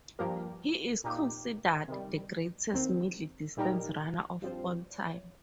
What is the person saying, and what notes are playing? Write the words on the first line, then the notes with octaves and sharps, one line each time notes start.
He is considered the greatest middle-distance runner of all time.
G2 F3 A#3 G4 A#4
A#2 A#3 D#4 G4
C3 D#3 G3
D#2 D#3 C4
A#2 G3 D#4 G4 A#4
G2 F3 C4 F4 C5